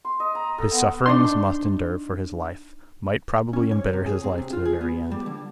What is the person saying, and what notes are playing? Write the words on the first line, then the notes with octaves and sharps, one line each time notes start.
But his sufferings must endure for his life--might probably embitter his life to the very end.
C6
D#5
A#5
A4
B3
D4 D#4 C6
C#4
C#5
C3
G#4
C4
C3
F4
G#4
B3
G3
D3